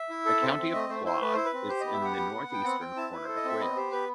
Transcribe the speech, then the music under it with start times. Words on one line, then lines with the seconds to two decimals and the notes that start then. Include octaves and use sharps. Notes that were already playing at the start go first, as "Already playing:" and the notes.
The county of Clwyd is in the northeastern corner of Wales.
Already playing: E5
0.10 E4
0.26 A4
0.42 C4
0.58 C4
0.74 A3 D#5
0.89 A3 C5
1.05 E4 C5
1.21 A3 B4
1.34 E4 C5
1.45 B4
1.53 C4
1.69 G4 C5
1.80 B3 D#5
1.93 E5
2.01 G4 F#5
2.17 B3
2.33 B3
2.49 B3 G5
2.64 C4 F#5
2.80 C4 G5
2.96 E4 A5
3.12 E4 B4
3.24 A4 C5
3.36 D#5
3.45 C4 E5
3.60 B3 D#5
3.76 G4 C5
3.92 B3 B4